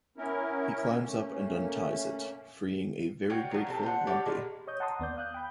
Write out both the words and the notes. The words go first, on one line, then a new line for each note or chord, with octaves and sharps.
He climbs up and unties it, freeing a very grateful Lumpy.
B3 C#4 E4 A#4
A3 A#3 C#4
F4 F#4 C#5 G5
F3 F#3
C3 C4 A4
C5 F#5
G4 A4 C#5 F#5
A#2 D#3 G3 G#3
C#5 D#5 D#6 G6
F#5 A5 A#5 C6 D#6
D#2 B3 D5 G6
F5 D#6 F#6 G6
G5 B5 G6